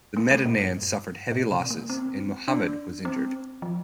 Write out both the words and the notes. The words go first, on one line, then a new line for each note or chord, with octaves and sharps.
The Medinans suffered heavy losses, and Muhammad was injured.
A#3
A3
A#2
G2
A#2
C3
A#3
C4
D4
C4
F3